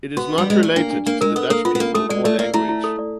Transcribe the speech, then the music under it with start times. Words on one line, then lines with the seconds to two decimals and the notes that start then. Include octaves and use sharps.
It is not related to the Dutch people or language.
0.17 B3 F#4
0.33 D4
0.38 G3
0.46 G#3 D5
0.62 A3 D5
0.76 A#3 D4
0.91 D4
1.06 A#3 D4
1.21 G#3 A#4
1.35 B3 A4
1.50 A#3 A4
1.65 B3 F4
1.75 B3
1.80 A#3 C#4
1.94 A3 A4
2.09 G#3 D5
2.24 A3 D5
2.39 A#3 D5
2.54 A3 E4
2.69 E4
2.84 A4
2.99 D5